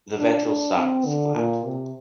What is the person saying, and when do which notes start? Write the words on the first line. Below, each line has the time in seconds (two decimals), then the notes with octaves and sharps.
The ventral side is flat.
0.18 D4
0.47 D4
0.76 C4
1.06 D3
1.35 A#2
1.64 C3